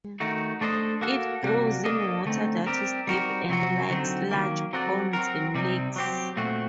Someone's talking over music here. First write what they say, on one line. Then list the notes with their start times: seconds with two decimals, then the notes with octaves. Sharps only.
It grows in water that is deep and likes large ponds and lakes.
0.20 D#3 A3 D#4 F#4
0.61 A3 D4 A4 C5 D#5
1.01 A#3 F#4 A4
1.43 C3 G3 A#3 F#4
1.84 A#3 D4 A4 D#5
2.25 D3 A3 C4 D#4
2.67 G3 C4 G4 A#4
3.07 G3 C4 D#4 F#4 A#4
3.49 C3 F#3 C4 F#4
3.90 D3 F#3 C4 D#4
4.31 D#3 F#3 A#3
4.73 F#3 C4 F#4 A4 D5
5.13 F#3 C4 F#4 A#4
5.55 C3 G3 C4 D#4
5.96 F#3 C4 G4
6.37 A#2 A3 C4 F#4